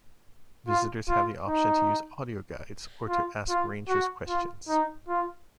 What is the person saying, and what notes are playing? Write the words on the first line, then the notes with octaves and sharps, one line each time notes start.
Visitors have the option to use audio guides or to ask Rangers questions.
F4
F4
D#4
F4
F4
F#4
F4
D#4
F4